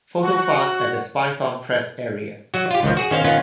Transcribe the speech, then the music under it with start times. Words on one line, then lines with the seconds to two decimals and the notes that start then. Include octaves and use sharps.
Photo found at the Spinefarm press area.
0.22 F#4
2.54 F#3 F#4
2.71 F4 G4
2.83 C#2 D#3 F3
2.97 F#4 G#4
3.11 D#3 C#4 C5 F5
3.24 D#3 B3 C#4 F4